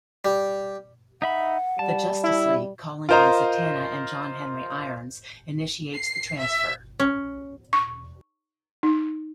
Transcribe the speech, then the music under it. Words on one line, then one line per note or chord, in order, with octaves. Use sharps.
The Justice League, calling on Zatanna and John Henry Irons, initiates the transfer.
G3
D#4 E5 F#5 B5
G3 A5
E4 E5
F4 A#4 C5 D#5 A#5
C7
E5
C#4
C#6
D#4